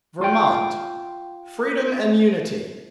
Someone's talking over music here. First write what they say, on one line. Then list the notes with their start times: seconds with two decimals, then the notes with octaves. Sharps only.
Vermont--Freedom and Unity.
0.21 F4 G5